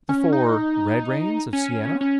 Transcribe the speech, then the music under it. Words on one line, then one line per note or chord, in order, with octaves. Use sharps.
The four red rains of Siena.
C#4
D#4
C#4
C#4